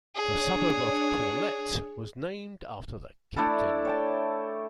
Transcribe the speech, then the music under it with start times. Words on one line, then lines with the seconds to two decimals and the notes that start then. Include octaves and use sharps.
The suburb of Corlette was named after the captain.
0.15 D4 G#4 C#5
3.36 A3 D4 E4 A4
3.85 C#5 G5 A5